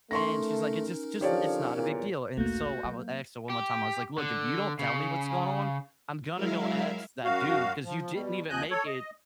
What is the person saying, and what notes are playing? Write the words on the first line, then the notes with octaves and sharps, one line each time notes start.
And she's, like, "It's just just it's not a big deal." And so, I w asked her one more time. I was like, "Look, If you don't tell me what's going on, I'm gonna go ask that dude, 'cause you didn't even make it
A3 C#4 D#4 A#4 C6 C#6 A#6
D3 F3 G4 C#5 D5
E2 A#2
A#1 D#2 A3 A#3 F#4 G6
F#3
G4
D3
C#3
F#3 G#3 E4 A#4 E5 F5
F#2 F#4 F5
F3
B2 G3
D#2 F3 D#5 G#5 F#6 G6
A4 C#5
D#5